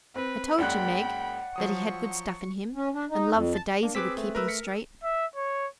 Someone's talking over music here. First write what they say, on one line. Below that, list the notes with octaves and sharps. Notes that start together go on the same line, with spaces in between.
'I told you, Meg, that he had good stuff in him, and love for Daisy would keep him straight.
C4 B4
F#2 G#3 A#3 D5 F#5 G5 B5 F#6
F3 F#3 C#6 D#6
C#4
D4
D#4
F2
A5
A#3 D4
C4 G#4 B4 D6 E6 B6
A3
A#4 B4 E6
A#4 B6 C#7
E5
C#5